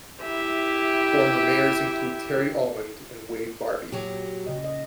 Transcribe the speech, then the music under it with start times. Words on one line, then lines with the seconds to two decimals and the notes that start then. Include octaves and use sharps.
Former mayors include Terry Almond and Wade Barbee.
0.22 E4 G4 E5
3.92 A#2 F#3 F#4 G4
4.46 C#3 D#5
4.64 D#5